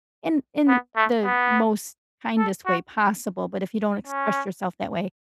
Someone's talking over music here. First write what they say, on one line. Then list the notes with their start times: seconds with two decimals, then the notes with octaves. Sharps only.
in in the most kindest way possible, but if you don't express yourself that way,
0.68 B3
0.96 A3
1.25 B3
2.38 A4
2.66 F#4
4.07 C#4